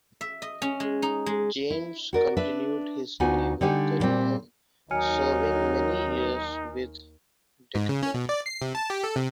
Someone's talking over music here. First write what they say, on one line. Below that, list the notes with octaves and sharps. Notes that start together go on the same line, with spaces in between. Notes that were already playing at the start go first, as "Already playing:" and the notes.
James continued his Naval career, serving many years with Decatur.
E5
D#5
C#4
G#3
D#4
G#3
E4
F#4 A#4 D5
D4 B4 E5
D2 B3 D#4 F4 F#4 G#5
D3 G3 D#4 G4 G5 G#5
A#2 G3 C4
D#2 D#3 F#3 D#4 G#5 F6 C#7
G#2
C#3
C#4
B2
D5
C7
C3
A5
G4
A4
C3